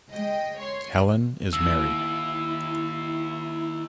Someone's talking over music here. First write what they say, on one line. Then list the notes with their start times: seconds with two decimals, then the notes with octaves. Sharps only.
Hellen is married.
0.11 G#3 D#5 G5
0.57 C#5 C6
1.53 D#2 E4 E6